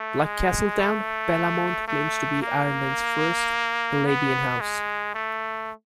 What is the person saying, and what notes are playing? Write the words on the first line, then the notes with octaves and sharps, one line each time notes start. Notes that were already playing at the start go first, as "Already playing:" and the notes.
Like Castletown, Bellamont claims to be Ireland's first Palladian house.
Already playing: A3
G#3
A3
A3
A#3
B3
G#3
A3